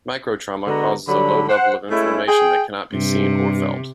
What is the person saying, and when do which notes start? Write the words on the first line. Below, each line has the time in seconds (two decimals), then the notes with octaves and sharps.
Most microtrauma cause a low level of inflammation that cannot be seen or felt.
0.68 D3 G#3 B3 F#4 A#5
1.08 D3 F#3 G3 B5
1.49 C5 F#5
1.91 G#3 A3 C#4 E4
2.29 G#4 G5
2.93 G2 C3